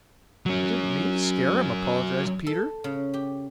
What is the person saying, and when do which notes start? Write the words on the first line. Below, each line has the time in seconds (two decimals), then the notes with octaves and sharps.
"I didn't mean to scare him," apologized Peter.
0.46 F#3 C#4
2.46 A4
2.84 C#3
3.14 G4